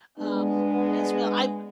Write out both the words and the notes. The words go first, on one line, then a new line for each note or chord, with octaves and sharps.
um, as well, I've
G#3 B3 D4